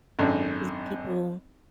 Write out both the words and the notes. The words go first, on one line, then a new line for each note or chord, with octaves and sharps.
with people
G#1 F#2 D4 A4